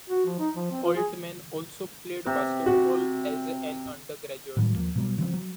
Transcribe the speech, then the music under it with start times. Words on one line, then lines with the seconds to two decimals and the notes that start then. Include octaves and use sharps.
Altmann also played basketball as an undergraduate.
0.10 F#4
0.26 F3
0.39 D#4
0.56 F3
0.72 C4
0.84 F4
0.96 G#4
2.27 C3
2.66 F#4
4.57 A2 D#3 F#3 G3
4.74 D#2 F3 A#3
4.96 B2 F#3 G3
5.18 C#3 E3 F3 C4
5.34 F#3